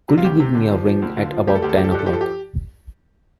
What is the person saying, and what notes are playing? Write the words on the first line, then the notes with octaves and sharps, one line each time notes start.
Could you give me a ring at about ten o'clock?
C3
F4
D2 G4
C3
D3
F3
F3
D2
D3 F4
F3
D2 G4
A4
D2 G4
A4
F3 G4
A4
G4
G2 A4
G4
F3 A4
G4